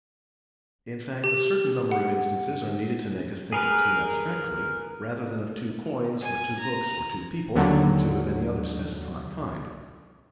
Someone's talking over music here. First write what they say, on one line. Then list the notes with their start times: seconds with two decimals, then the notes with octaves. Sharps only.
In fact, a certain number of instances are needed to make us think of two abstractly, rather than of two coins or two books or two people, or two of any other specified kind.
1.24 G4
1.91 F#5
3.53 G#4 A#4 B4
6.20 G#5
6.59 A#5
7.55 D#2 D3 F#3